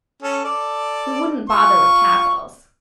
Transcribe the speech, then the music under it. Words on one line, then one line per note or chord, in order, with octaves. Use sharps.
"We wouldn't bother with capitals."
C#4 A4
A4 D5
F4 C#6